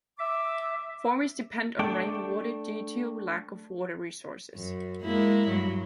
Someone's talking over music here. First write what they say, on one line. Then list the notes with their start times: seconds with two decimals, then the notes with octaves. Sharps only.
Farmers depend on rain water due to lack of water resources.
0.19 E5 D6
1.79 A3 D4 G5
4.55 F#2
5.04 G#3 A#3 E4
5.48 G2 F#3